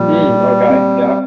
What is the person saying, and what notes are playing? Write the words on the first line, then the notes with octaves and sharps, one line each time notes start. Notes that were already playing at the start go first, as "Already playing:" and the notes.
Mm, okay. Yep.
Already playing: A#2 F3 G3
A#2
C4